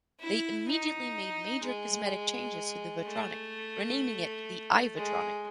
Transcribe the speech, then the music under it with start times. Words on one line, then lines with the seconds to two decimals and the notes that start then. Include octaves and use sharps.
They immediately made major cosmetic changes to the Votronic, renaming it the iVotronic.
0.20 E4
0.68 D#4
1.63 G#3
3.05 A3
4.96 G#3